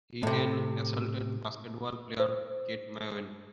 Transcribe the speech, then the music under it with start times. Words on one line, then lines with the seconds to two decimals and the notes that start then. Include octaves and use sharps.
He then assaulted basketball player Kate McEwen.
0.23 A2 C3
2.20 C5